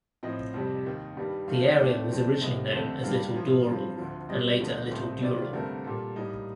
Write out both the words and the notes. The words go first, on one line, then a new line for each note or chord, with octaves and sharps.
The area was originally known as Little Dooral and later Little Dural.
A2 F3 C4 D#5
F2 C3 G3 C4
D#2 D#3 A#3
G2 D#3 G3
F2 D#3 A3 C4 F5
D#5
D#2 D#3 A3 C4 D5
F2 D#3 A3 C4
C2 C3 D#3 A#3 D#5
F2 D3 A3 C4
G2 D#3 G3 A#3 F5
A2 F3 A#3
G2 F3 C4 F5
D2 D3 F3
A#2 G3 C4 D#5
D2 D3 F3 A3
C2 A#2 A3 C4
D2 C3 D#3 A#3 D5
F4
G2 D3 A3 C4 A#4
A#2 G3 A#3 A4
A2 G3 A#3 D#4